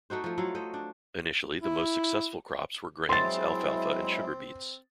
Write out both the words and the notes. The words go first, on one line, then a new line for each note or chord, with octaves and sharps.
Initially, the most successful crops were grains, alfalfa and sugar beets.
A3 D#4 F#4 C5
F3 A3
F#3 E4 F4 F5
A3 C5 D#5
D4
E4
F#3 G#3 C4 E4 C6 A6